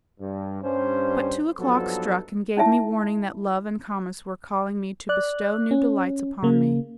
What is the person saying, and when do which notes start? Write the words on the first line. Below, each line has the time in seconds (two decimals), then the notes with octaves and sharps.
But two o'clock struck and gave me warning that Love and Comus were calling me to bestow new delights upon me.
0.20 G2
0.63 G2 C#4 C5
1.60 G2 F3 F#3 B3 D#4 A4
2.57 C#4 D#4 E4 E5 A5
5.09 D5 F#6
5.71 C#4
6.43 C#3 A#3